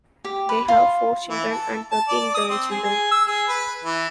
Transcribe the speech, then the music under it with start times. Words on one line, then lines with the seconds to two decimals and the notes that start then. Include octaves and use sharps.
They have four children and thirteen grandchildren.
0.25 G4
0.49 B4
0.68 F4
1.29 E3
1.50 A4
1.92 A5
2.08 D5
2.34 D#6
2.50 C4
2.71 G#4
2.84 G#4
3.11 E6
3.27 G#4
3.48 B4
3.84 E3